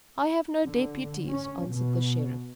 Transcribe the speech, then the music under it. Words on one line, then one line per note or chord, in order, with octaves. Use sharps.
"I have no deputies," answered the sheriff.
D3
C#4
B2